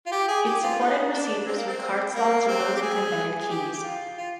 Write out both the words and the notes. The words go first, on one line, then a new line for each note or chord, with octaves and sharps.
It supported receivers with card slots and those with embedded keys.
F4
G4
G#4
G4
F4
D#4
D4
C4
A#3
C4
A#3
A#3
C4
G4
G#4
G#4
G4
G4
F4
F4